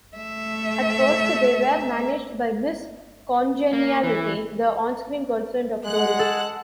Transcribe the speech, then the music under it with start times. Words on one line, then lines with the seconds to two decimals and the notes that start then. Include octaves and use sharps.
At first, they were managed by Miss Congeniality, the onscreen girlfriend of Doring.
0.17 A3 E5
3.73 A#3
4.04 E3
5.85 G#3 F#5 F#6
6.19 A4